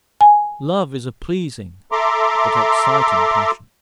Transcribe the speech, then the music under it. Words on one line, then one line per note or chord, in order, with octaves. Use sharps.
Love is a pleasing but exciting passion.
G#5
A4 E5 A#5 C6 D6